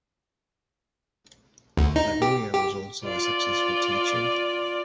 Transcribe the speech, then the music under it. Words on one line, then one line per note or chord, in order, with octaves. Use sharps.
Lagoya was also a successful teacher.
D2
D#4
G4
G4
F4 D5